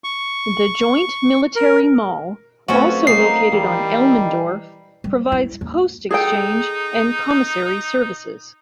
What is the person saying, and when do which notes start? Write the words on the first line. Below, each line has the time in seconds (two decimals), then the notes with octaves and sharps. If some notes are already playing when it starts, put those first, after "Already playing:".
The Joint Military Mall, also located on Elmendorf, provides post exchange and commissary services.
0.04 C#6
1.56 A#4
2.68 F#2 A3 C4 C#4 F4 F#4 B4
3.07 A#3 D#4 C7
3.52 E3 G3
5.04 G3
5.32 E4
5.61 D#2
6.11 D#4 G#4 A4 G5